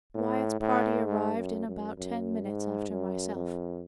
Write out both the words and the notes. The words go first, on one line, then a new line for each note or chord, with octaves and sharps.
Wyatt's party arrived in about ten minutes after myself.
A2
A2
G#2
F#2
F#2
F#2
G#2
F#2
F2